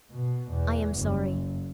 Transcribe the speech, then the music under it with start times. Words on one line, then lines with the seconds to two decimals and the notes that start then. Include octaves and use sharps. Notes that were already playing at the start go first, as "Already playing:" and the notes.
I am sorry.
0.11 B2
0.51 E2
0.96 F#1